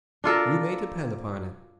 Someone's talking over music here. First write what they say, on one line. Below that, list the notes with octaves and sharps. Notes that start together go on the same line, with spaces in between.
"You may depend upon it."
D4 F4 A4 A#4